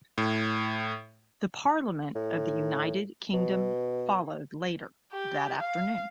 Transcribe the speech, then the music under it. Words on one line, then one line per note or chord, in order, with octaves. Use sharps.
The Parliament of the United Kingdom followed later that afternoon.
A2
A2
B2
G4
F5